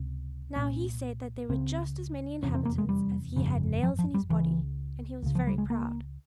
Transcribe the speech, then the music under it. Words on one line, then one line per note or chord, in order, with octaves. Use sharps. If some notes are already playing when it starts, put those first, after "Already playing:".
Now he said that there were just as many inhabitants as he had nails in his body; and he was very proud.
Already playing: C#2 C3
C2 A#2 C#4
C#2 C#3 C4
F1 E2 C3 C#4
C4
A#3
G#3
G3
G1 F2 C#3
F3
F3
G3
C#2 C#3 E3
C#2 C#3
F3
G3
G#3
A#3